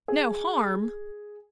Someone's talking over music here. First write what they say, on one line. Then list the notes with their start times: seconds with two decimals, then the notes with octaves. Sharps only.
"No harm!"
0.08 G#4